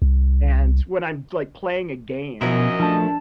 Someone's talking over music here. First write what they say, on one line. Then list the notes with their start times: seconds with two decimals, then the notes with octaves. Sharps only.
and when I'm, like, playing a game,
0.02 C2
2.41 A#1 F#2 B2 E4 D#5
2.80 F3 A3 D4 A5